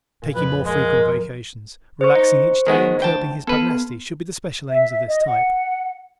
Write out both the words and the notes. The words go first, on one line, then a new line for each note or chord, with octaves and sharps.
Taking more frequent vacations, relaxing each day, and curbing his pugnacity should be the special aims of this type.
A#2
F2 B4
G#3 A#4
C5 C#6
D#4
D#3 G#3 B3
D2 G5 A5
B3 A4 B4
E5
D#5
F#5